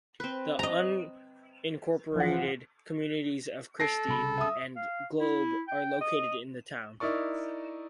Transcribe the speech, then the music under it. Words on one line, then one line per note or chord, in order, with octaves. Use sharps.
The unincorporated communities of Christie and Globe are located in the town.
C4 B4
D#5 A#5
E3 F3 F#5
A4 A#6 C7 D7
C2 C#3 B5
E5 D#6
F5
E4
G5
D#5
D#4 E4 A#4 D5 C#6